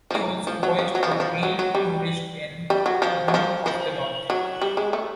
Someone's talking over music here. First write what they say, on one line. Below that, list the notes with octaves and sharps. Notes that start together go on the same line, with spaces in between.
He also voiced a Male Tourist in "Norm of the North".
F3
E3
F3
F#3
F3
F#3
F3
E3
F3
F#3
F#3
G3
G3
F#3
F3
F#3
F3
F3
F#3
G3
G#3
A3